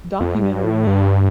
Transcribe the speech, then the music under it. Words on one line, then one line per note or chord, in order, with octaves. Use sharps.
Documentary Now.
F2
A2
G2
A2
G2